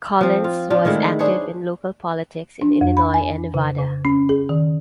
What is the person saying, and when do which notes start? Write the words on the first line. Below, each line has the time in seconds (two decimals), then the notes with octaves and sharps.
Collins was active in local politics in Illinois and Nevada.
0.21 F3 C4
0.44 F4
0.70 F3 D4 F4
0.85 D#3 G#3 A3 E4
1.19 D4 G#4 C5 C#5
2.62 D4
2.81 F2
2.97 B5
3.14 G#5
3.54 C#3
3.79 C#3
4.05 C#4
4.29 G#4
4.49 D#3